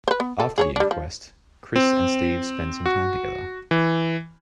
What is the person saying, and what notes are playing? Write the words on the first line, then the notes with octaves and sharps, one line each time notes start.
After the inquest Chris and Steve spend some time together.
B4 C5
B3
A4
G#4 A4 C#5
G3 D4
F3
C4
F#4
E3